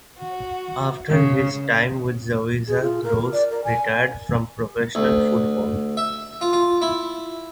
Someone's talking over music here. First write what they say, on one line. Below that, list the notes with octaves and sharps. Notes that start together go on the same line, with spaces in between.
After his time with Zawisza Gross retired from professional football.
F#4
C#3
G#4
F4
A#4
D5
A#4
G#5
D2
E5
F4
F4
E4